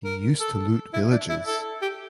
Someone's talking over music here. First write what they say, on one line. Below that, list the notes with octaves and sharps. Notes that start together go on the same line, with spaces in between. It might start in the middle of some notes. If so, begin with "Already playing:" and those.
He used to loot villages.
A#4
A4
E4
D4
E4
A4
G4